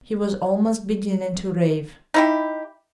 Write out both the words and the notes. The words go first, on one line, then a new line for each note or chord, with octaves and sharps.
He was almost beginning to rave....
D#4 E4 G4